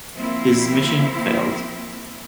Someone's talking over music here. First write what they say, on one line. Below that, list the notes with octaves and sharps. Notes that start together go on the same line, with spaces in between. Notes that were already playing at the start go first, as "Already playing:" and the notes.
His mission failed.
F3 A#3 C4 E4